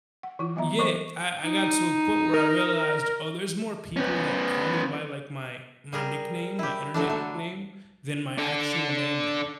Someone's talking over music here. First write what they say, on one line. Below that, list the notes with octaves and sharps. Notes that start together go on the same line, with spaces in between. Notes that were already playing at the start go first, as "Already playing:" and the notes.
Yeah. I I got to a point where I realized, oh, there's more people that call me by, like, my my nickname, my Internet nickname than my actual name now.
F#5
E3 E4 F4
F#3 B3 D#5 E5 A#5
E3 F#3 A4 C5 C#6
D#4
A#4
B3 C#4
G3 G#4 A#4
E4 G4
D3 F#3 A3 D4
A3
D4 A4